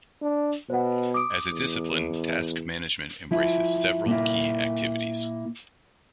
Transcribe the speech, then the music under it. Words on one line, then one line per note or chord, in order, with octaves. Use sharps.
As a discipline, task management embraces several key activities.
D4
B2 C5 F#5
D6 D#6 D7
E2
F3 E4
A#2 A#3 E4